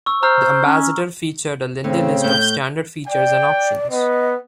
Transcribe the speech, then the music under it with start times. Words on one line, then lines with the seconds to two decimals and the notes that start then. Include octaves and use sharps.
The Ambassador featured a lengthy list of standard features and options.
0.06 C#6 E6
0.23 C5 A#5 E6 F6
0.66 C#4
1.84 A2 C#3 C4
2.24 A2 G6
3.08 D5 G5
3.90 B3 D#5